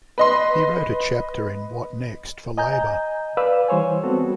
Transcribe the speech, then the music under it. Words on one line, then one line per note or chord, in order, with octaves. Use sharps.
He wrote a chapter in What Next for Labour?
B4 D#5 C6
D#5 G#5 A#5 G6
B4 D5 F5 E6
E3 G3 C5 C#5 G#5
G3 G#3 B3 C4 F#4 A4